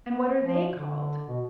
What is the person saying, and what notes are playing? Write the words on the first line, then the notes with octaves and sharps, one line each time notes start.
"And what are they called?"
B3
F3
D3
B2